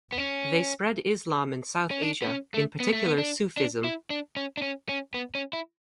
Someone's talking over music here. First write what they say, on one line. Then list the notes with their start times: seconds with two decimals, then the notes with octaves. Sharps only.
They spread Islam in South Asia, in particular Sufism.
0.12 B3
0.18 C#4
1.91 C#4
2.02 D4
2.22 B3
2.27 C#4
2.54 A3
2.80 B3
2.93 A3
3.06 B3
3.18 D4
3.57 D4
3.84 E4
4.10 D4
4.37 C#4
4.57 D4
4.62 C#4
4.89 C#4
5.14 B3
5.35 C#4
5.53 E4